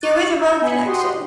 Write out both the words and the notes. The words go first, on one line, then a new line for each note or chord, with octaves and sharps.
There is a road connection.
C#6 D6 F#6 A6 D#7
A#5 E6 G6 G#6
B3 G#5 B5 C#7
F#4 G4 F#5 C6 D#6